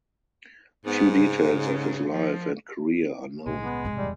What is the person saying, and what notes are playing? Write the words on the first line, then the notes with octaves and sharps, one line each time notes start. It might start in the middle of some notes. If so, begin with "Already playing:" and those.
Few details of his life and career are known.
G#2 B3
C#3
C#3
F3
B1 A2 C#3 G#3
B3
G#2 C3
F1 E2 G3